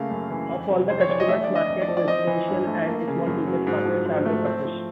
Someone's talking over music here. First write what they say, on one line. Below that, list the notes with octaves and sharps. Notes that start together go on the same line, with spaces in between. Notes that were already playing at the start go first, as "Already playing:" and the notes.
Of all the customer markets, residential and small business markets are the toughest.
Already playing: C#3 A3 A#3 F5
F#2
E3
F2
C3
F2 C5
C#5
E3 D5
D#5
A3 E5
D3 D5
D#5
F2
D5
F3
D5
C4 D#5
E3
G2
A3
A#3
C#3
F#2
F#3
G#2
F3
G#2
A3
C4
F3